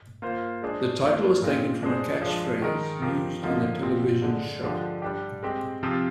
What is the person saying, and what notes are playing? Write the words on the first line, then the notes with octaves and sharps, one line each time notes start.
The title was taken from a catchphrase used in the television show.
A#3 F4 C5
G#3 D4 G#4 C5
A#3 D4 F4
A#2 G#3 C4 F4
G#3 D4 G#4 C5
F3 G#3 D4
D#3 G#3 D#4 A#4
F3 C4 G4 A#4
D3 F3 A#3 D#4
A#2 F3 C4
D3 G#3 D4
D3 F3 G#3 D4 G4
G3 D4 G4
G#3 C4 G4
C3 F3 C4 F4